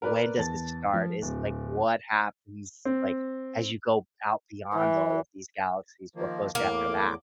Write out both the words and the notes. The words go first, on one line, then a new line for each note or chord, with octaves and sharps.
when does it start? Is, like, what happens, like, as you go out beyond all of these galaxies, what goes after that?
A#4 B4 D5
E2 A5 A6
F3
D1
C4
E3
D#3 F3 A#3
E2 A2 A#3 D6